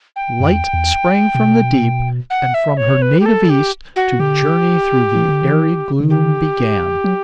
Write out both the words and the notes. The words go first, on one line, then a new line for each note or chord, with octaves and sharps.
"Light Sprang from the deep, and from her native east To journey through the airy gloom began."
G5
F#2
E2
E2
B2
F#5
E5
C#5
B4
G4
A4
G4
F#4
D3 G4
E3
D3
E3
C#3
D3 G4
F#3